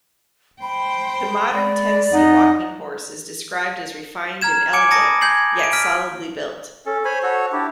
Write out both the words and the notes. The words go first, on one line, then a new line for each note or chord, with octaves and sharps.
The modern Tennessee Walking Horse is described as "refined and elegant, yet solidly built".
C5 G5 B5
G#3 D5
F2 D#4 D#5 F#5
A#5 F6 G#6 E7
G#5 D6 G#6 C#7 D7
A5 B5 D#6 A#6 C#7
G#5 G6 G#6 C7 F#7
D7 D#7
F6 B6 D7
C#4 A4
C5 C#5 G#5 B5
F#4 A4 C#5
D4 E4 G4